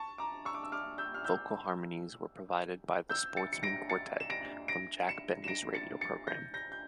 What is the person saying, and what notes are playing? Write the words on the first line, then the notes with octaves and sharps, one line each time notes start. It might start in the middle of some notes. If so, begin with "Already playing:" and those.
Vocal harmonies were provided by The Sportsmen Quartet, from Jack Benny's radio program.
Already playing: A5 C#6
A#5 D6
C#6 E6
D6
E6
D6 F6
E6 G6
F6
E6 G6
E6 G6
A6 C#7
C#7
A#6 D7
A6 C#7
E7
A#6 D7
A#6 D7
C#7 E7
E7
A#6 D7
A6 C#7
A6 C#7
G6 A#6
G6 A#6
G6